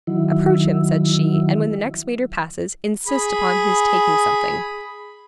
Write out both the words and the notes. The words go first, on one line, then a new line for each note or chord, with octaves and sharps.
"Approach him," said she, "and when the next waiter passes, insist upon his taking something."
D#3 F#3 E4
G#4 B5